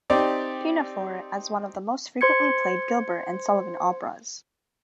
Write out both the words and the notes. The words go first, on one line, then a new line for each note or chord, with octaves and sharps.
Pinafore as one of the most frequently played Gilbert and Sullivan operas.
C4 D#4 G4 D5
C5 C6 G#6 C#7